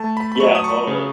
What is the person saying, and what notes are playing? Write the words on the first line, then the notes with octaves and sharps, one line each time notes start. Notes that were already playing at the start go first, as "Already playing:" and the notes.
Yeah, totally.
Already playing: A3 A5
B5
B5
F#3 C#6
D#6
C#6
C#3